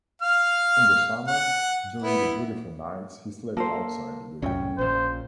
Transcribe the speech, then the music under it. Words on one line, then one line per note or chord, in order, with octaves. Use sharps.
In the summer, during the beautiful nights, he slept outside, with Homo.
F5 F6
F#5
B3 E4
A#3 A4 A#4 C5
C2 F#2 A2 C#4 G5
A#1 A#2 C5